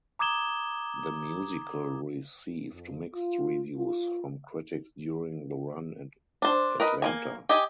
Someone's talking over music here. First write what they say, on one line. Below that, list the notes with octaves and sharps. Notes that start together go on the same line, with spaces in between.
The musical received mixed reviews from critics during the run in Atlanta.
A#5 D6 D#6 G#6 E7 G7
F2
F4
F4
D4 C5
A#4 B4 D#5
A#3 E4 G#5
G4 D#5 G#5